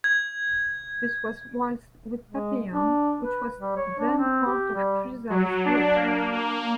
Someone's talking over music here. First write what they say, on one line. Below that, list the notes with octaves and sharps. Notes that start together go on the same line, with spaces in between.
This was whilst with Papillon which was then part of Chrysalis Group.
G#6
G#3
D4
B4
G3
C#5
D4
C4
G4
G3
F#3
D4
A#3
A#3